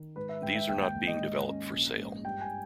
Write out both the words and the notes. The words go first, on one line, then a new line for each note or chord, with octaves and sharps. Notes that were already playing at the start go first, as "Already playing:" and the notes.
These are not being developed for sale.
Already playing: D#3
G#2 B4
E5
G#2 G5
E5
D#2 G5
G5
D#2
D#5
G#2
C#4
A#1
G#2
G2 G5
G#5